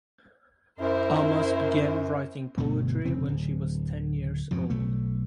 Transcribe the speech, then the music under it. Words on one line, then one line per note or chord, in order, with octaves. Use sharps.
Amas began writing poetry when she was ten years old.
F#2 E4 A#4 C5
G1 D2 B2 A3
F1 C#3 C4
D1
F2 G#2 B2
B1 A3